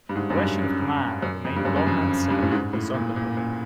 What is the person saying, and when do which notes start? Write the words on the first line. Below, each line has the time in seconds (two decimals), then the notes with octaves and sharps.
The question of command remained long unsettled with the Sonderbund.
0.09 G2
0.15 G#2
0.30 F#2
0.37 G2
1.22 F#2
1.45 F2
1.56 G2
1.65 F#2
1.76 F#2
1.87 F2
2.30 G2
2.42 A2
2.51 G#2
2.73 A2
2.94 A#2
3.16 A#2
3.37 A#2